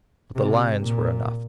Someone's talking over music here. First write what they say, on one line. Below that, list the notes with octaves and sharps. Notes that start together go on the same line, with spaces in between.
But the lines were enough.
C3
A#2